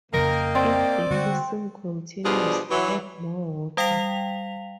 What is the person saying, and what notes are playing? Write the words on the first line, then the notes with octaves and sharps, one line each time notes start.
If the hissing continues, add more water.
F2 C#3 F3 A#3 A#4 D#5 G5
C4 D5
D3 G3 G#3 F#4 C5
B2 F3 G3 D4 F4 G#4
E3 F#3
G3 F5 G5 B6 F7